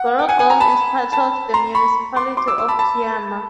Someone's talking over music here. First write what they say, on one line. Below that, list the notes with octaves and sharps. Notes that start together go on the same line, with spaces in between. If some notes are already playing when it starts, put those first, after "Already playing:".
Gerringong is part of the Municipality of Kiama.
Already playing: F#5
G5
F#5 G#5
F#5 G#5
G#5 A#5
A5 B5
A5 B5
A#5 C6
B5 C#6
C6 D6
C6 D6
D6 E6
D6 E6
A5 B5
A5 B5